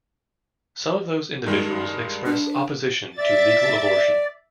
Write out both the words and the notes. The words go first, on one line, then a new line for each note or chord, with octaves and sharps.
Some of those individuals express opposition to legal abortion.
G2 D#3 G#3
D4
D5 E5 A6